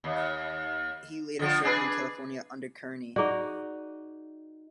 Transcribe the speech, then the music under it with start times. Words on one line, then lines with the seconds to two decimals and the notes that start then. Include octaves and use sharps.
He later served in California under Kearny.
0.04 D#2
1.39 D3 F3
1.63 D4 G#4 B4
3.16 D#4 F#4 G#4 D5